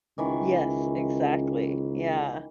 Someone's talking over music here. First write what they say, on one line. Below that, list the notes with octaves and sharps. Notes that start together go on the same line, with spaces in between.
Yes, exactly. Yeah.
C#2 D#3 E3 C#6